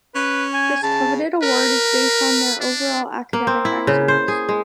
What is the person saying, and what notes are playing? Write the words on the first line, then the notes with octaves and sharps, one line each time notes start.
This coveted award is based on their overall academic excellence.
C#4 B4
G#5
C#3 A5
A#4 B4
D4
A#3
C4
E4
C#3
C5
G#4
G#3